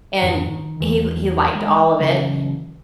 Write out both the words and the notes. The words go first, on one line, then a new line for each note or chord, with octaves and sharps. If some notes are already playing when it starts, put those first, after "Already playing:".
and he he liked all of it.
F2 G#2 E3
D#3
E2 E3
G#3
C#3 E3 F#3